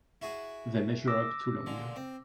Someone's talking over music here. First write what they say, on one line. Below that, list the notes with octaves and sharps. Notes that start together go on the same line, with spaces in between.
They measure up to long.
E4 F#4 G#4
D6 E6 A#6
A#2 D3 G#3
C4